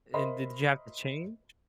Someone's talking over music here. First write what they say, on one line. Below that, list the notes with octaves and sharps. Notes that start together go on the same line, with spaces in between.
and did you have to change?
A#4 C5 D#5 E5 B5 C6